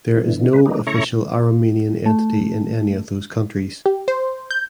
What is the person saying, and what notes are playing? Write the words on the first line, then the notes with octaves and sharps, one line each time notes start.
There is no official Aromanian entity in any of those countries.
B2 D3 E3
G#3 B4
G#3 A#3 B3 D4 D#4
C#3 A3 E4 C#5 A#5 C#6
A3
G4
C5
G6